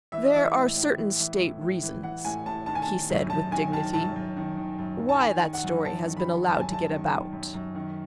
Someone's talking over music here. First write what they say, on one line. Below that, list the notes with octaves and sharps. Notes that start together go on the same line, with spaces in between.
"There are certain state reasons," he said with dignity, "why that story has been allowed to get about."
E3 E5
D#5
E3 E5
A2
A2
E3
E3
A2
A2
E3
E3 F#5
A2 G#5
A2 A5
D#3 A5
G#5
A5
D#3
F#2
F#2 A5
D#3 G#5
D#3 A5
F#2 A5
F#2
D#3
D#3
F#2
F#2
A5
D#3 G#5
D#3
F#5
F#2
F#2 A5
D#3
B5
D#3
F#2 A5
G#5
F#2 A5
D#3
D#3
F#2
F#2
D#3